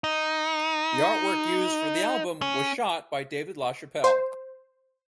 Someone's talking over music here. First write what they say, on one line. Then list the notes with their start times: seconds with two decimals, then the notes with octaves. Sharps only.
The artwork used for the album was shot by David LaChapelle.
0.04 D#4
2.42 C#4
4.04 C5